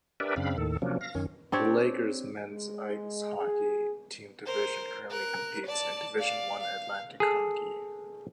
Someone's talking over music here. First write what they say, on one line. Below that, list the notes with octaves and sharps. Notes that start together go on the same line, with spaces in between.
The Lakers men's ice hockey team currently competes in Division One Atlantic Hockey.
D4 G4 A#4 B4 D5 E5
F#2 C#3 C4 D4 F5 B5
D#2 A2 D#3 A4
C3 F3 F#3 A#3 C#4 D4
F5 A#6
F#2 D#3 C#4
C4 D4 G4 C#5
G#3
G#4
A#4 C5
A#4 F#6
D5 A5
D5 F5
F5
G#4 A4